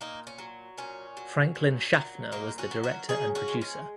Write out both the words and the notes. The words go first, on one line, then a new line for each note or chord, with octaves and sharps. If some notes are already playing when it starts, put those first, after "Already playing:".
Franklin Schaffner was the director and producer.
A#2 A#3 D#4
C#4
F#3
A#2 C#4
F#3
A#2
F#3
A#2 A#3 D#4
C#4 F#4
F#3
F#4 A#4
C#3 D#4 G#4
C#4 F#4
G#3
C#4